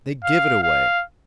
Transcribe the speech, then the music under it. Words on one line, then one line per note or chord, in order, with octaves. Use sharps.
They give it away.
F5
F5